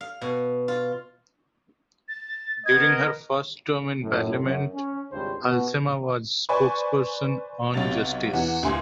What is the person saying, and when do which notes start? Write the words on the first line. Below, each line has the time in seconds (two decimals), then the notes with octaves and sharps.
During her first term in parliament, Halsema was spokesperson on justice.
0.01 F5
0.21 B2
0.68 F4
2.09 A6
2.66 B3 A#4 D#5 G#6
4.03 F#2 A2
4.41 F#2
4.74 C#4
5.12 G#1 C#2 C#3 G3 D4 C5
5.42 B2
6.49 B4 C5 D5 G#5 B5 C#6
7.74 B1 C3 F#3 A6 F7
8.33 E2 E3 F#5
8.63 D2 A#2 E4 G#5 C6